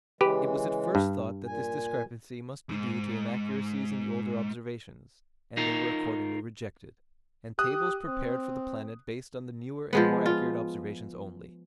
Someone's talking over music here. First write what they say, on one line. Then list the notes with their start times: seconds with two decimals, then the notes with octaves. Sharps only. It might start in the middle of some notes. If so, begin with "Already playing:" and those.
It was at first thought that this discrepancy must be due to inaccuracies in the older observations, and they were accordingly rejected, and tables prepared for the planet based on the newer and more accurate observations only.
0.21 C#3 E3 G#3 G4 B4
0.95 G2
1.47 A#2 G#5
2.69 E2 G#2
5.57 D#4 F4 A#4
7.59 G4 D#6 F#6
8.08 C4
9.93 F3 G#3 B3
10.26 F4